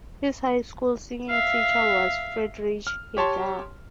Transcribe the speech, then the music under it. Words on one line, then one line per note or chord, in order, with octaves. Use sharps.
His high school singing teacher was Friedrich Hegar.
E5 F5
F6
G4 C#5 A5 C6